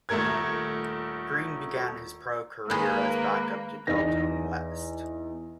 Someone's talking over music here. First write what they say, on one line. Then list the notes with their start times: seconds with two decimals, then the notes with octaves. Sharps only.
Greene began his pro career as backup to Delonte West.
0.09 D#1 A3 A4 A#4 G#6
2.70 D#3 G#3 A#3 B4
3.87 E2 D#4 A#6